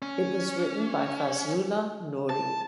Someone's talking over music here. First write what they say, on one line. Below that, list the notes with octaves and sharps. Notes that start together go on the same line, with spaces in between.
It was written by Fazlullah Nuri.
C#4
A5